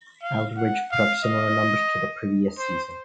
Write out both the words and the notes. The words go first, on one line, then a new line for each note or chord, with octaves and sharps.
Aldridge put up similar numbers to the previous season.
F5
F#5
F5
D#5
C5